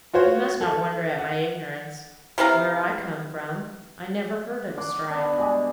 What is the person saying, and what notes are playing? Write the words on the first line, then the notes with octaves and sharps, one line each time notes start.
You must not wonder at my ignorance; where I come from I never heard of a strike.'
F4 F#4 C5 C#5
A4
F#5
C3 E3 F5 A#5
F#5 C6 D6
B3 D4
B2 G3 G#3 G#4